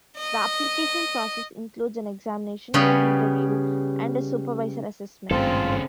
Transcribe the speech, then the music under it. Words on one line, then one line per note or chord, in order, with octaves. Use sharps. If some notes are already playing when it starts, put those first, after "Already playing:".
The application process includes an examination, an interview, and a supervisor assessment.
D#5 D#6
C#3 G3 B3 C#5
G#1 G2 C#3 A3 C4 F4 A4